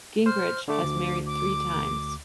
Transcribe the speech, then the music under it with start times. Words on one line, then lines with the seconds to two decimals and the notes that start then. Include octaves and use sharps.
Gingrich has married three times.
0.26 C5 F6
0.68 D3 A3 D6
0.84 D2
1.26 D6